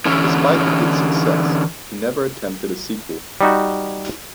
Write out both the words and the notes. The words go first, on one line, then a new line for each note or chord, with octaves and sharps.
Despite its success, he never attempted a sequel.
D3 E3 C#4
G3 D#4 F#4